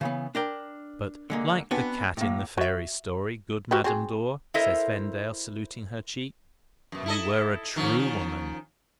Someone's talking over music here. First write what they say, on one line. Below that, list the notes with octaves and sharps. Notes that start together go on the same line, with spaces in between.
But like the cat in the fairy-story, good Madame Dor," says Vendale, saluting her cheek, "you were a true woman.
C#3 E3 B3
D4 A#4 G5
D3 G#3 A#3
B3 C4 D4 F#4 B4 G#5
A2 A#3
F#4 E5
F#4 G4 B4
C4 F#4 G#4
E4 A4 A#4 C5 D#5 E5
F#2 B2
E4 A4 D#5
D#3 F3 C#4